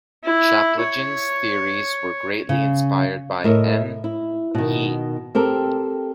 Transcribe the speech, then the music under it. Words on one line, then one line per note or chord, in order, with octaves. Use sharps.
Chaplygin's theories were greatly inspired by N. Ye.
E4
C#5
C#3
A2 A#4 D#5 E5
E4
B2 D#3
C4 G4 A4 A#4